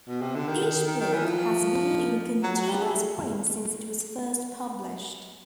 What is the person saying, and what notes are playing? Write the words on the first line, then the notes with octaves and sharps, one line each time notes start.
Each book has been in continuous print since it was first published.
B2
C3
D3
D#3
D#3
D#3
E3
F3
F#3
F#3
G3
A3